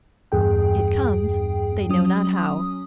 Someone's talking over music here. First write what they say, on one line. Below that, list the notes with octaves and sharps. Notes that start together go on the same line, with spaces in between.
It comes, they know not how.
E2 G2 G#4 G5
F#3 C#4 D#6